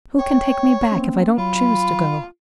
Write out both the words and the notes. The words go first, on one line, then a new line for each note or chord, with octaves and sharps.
Who can take me back, if I don't choose to go?
C#5 G5
A#3 C4 C#4
F#3 F4 B5